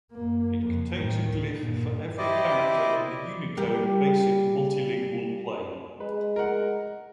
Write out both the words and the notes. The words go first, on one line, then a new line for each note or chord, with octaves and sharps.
It contains a glyph for every character in the Unicode Basic Multilingual Plane.
F#2 A#3
F2
A2 D#3
D2
G2 A#2
E4 G4 C5 D5 D#5
G3 G4 A#4
G#3 B4
A#4 F#5